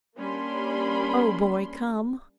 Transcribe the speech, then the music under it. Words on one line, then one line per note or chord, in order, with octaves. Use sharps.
Oh, Boy--come!
G3 A#3 C#4 D4 B5 C6